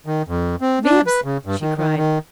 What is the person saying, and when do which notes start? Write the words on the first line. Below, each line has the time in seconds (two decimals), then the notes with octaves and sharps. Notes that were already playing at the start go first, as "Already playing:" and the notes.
"Bibbs!" she cried.
0.06 D#3
0.28 F2
0.61 C4
0.85 D4
1.07 B4
1.24 C#3
1.46 G2
1.61 D#3
1.77 D#3
1.97 D#3